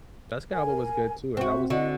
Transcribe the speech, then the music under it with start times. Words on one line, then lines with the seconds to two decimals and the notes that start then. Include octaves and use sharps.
Jessica Alba was good too. Uh, that was
0.54 A#4 G#5
1.37 C4 F#4 E5 C#6
1.70 D3 E4 F#4 D5 D#5